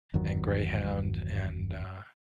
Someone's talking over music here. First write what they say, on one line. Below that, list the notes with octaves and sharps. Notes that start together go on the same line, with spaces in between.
and Greyhound and, uh,
G1 E2 D#3 F#3